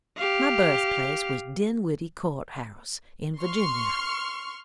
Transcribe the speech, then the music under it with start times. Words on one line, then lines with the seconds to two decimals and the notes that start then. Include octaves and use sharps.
My birthplace was Dinwiddie Court-House, in Virginia.
0.17 G4 F5
3.40 C6 C#6 F6